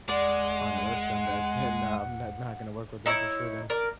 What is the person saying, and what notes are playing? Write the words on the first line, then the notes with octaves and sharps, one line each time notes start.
Another scumbags, yeah, no, I'm not not gonna work with them for sure then.
E2 G#3 D5 F#5
D#4 E4 C#5
A#4 D5